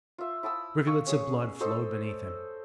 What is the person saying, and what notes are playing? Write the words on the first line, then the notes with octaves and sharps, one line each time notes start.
Rivulets of blood flowed beneath him.
F4 E5
E4 A5 D#6 E6
F5 C#6 E6
C#4 G#4
A4 C5 D#5 E6